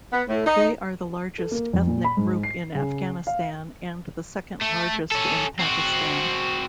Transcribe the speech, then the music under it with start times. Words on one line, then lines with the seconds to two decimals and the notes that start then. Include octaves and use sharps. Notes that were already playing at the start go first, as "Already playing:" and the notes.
They are the largest ethnic group in Afghanistan and the second largest in Pakistan.
0.12 B3
0.28 A2
0.46 D#4
1.38 A4
1.51 A#3
1.73 F2
1.87 A#2
2.04 B5
2.17 G#2
2.43 C7
2.75 C#3
3.27 F5
4.61 A3
5.11 C#4 A4
5.60 C4 F#4